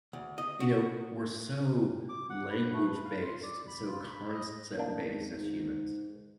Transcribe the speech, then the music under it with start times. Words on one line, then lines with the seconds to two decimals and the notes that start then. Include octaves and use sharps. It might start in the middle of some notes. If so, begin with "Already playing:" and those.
you know, we're so language based and so concept based as humans,
0.13 D2
0.38 D#5
0.60 F#4
2.09 D6
2.30 F#5
2.50 B4
2.73 A3
2.85 B4
3.05 F5
3.22 C6
3.43 D5
3.68 B5
3.87 F4
4.05 B5
4.33 D#5
4.77 A1 A#3 D4
5.08 G#1
5.36 G#2